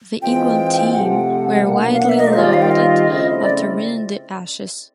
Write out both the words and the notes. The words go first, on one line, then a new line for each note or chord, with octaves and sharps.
The England team were widely lauded after winning the Ashes.
E3 G#3 C4 F4 G5
C3 F3 A3 F#5
B2 F#3 A#3 D4
F5
F#5
E5
D#5
D5
C5
D#3 G3 C4 F4 C#5
D5
F5
G5
D#5
C#3 F3 A3 C4 E4
D5